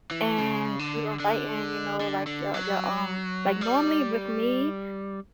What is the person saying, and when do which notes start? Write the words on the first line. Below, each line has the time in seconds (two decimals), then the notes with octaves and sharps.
and you invite in, you know, like, your your, um like, normally with me
0.11 E3
0.38 C#3
0.79 D3
1.20 D3
2.00 D3
2.26 D3
2.54 F#3
3.61 G3